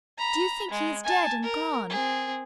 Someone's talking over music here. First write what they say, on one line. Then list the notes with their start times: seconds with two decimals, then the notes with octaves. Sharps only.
"Do you think he is dead and gone?"
0.18 A#5 B5
0.71 G#3
1.04 G#5 A5
1.43 A#4
1.90 C4 G#4